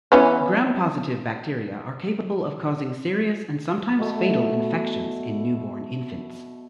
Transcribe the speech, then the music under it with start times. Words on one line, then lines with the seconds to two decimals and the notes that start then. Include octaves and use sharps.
Gram-positive bacteria are capable of causing serious and sometimes fatal infections in newborn infants.
0.12 E3 B3 C#4
3.99 B2 A3